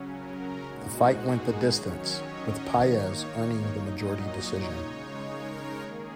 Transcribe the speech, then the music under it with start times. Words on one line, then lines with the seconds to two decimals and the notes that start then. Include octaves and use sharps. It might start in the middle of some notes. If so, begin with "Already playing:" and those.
The fight went the distance, with Paez earning a majority decision.
Already playing: C#3 F#3 C#4
0.15 A#4
0.66 A#2 G#3 D#4 F#4
1.18 G#4
1.69 D#3 F#3 C#4 C#5
2.21 D#5
2.72 D#3 A#3 D#4 C#5
3.75 A#2 F#3 D#4 D#5
4.27 C#5
4.78 C#3 G#3 D#4 C#5
5.30 A#4
5.81 D#3 A#3 C#4 G#4